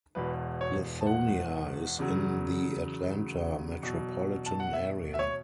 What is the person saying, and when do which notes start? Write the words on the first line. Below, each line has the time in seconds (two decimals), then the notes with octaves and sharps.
Lithonia is in the Atlanta metropolitan area.
0.15 E1 E2 B2 B4
0.61 C#5
1.01 A5
1.06 F#5
1.98 E2 C#3 F#3
3.82 E2 B2 F#3
4.46 A5
4.60 F#5
4.73 E5
5.14 E5
5.19 C#5